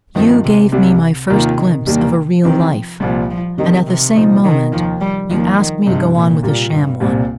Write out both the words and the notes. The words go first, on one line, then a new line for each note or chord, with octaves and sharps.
You gave me my first glimpse of a real life, and at the same moment you asked me to go on with a sham one.
G2 D#3 F3 C4 D#4
C3
C2 C3 G3
D#2 C3 D#3 A#3 F4
D#3
D#2 D#3 G3 A#3
C3 D#3 F3 C4
C2 A#2 F3 G3
F3
C3 D#3 G3 D#4
C3
A#2 F3 D#4
D#3
D#2 D#3 F3 A#3
G3
D#2 D#3 F3 A#3
D#3
G2 C3 G3 D#4
A#2
A#2 G3 A#3 F4
G2
C2 A#2 G3 C4